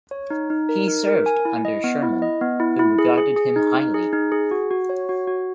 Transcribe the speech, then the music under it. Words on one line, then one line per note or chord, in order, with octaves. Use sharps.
He served under Sherman, who regarded him highly.
C#5
D#4
D#4
A#4
D#4
A#4
G#5
E4
D#5
B3
E4
D#5
B3
E4
E4
G#4
G#4
G#4
D#4
D#4
G#4
D#4
G#4
F#4
F#4
C#5
F#4
F#4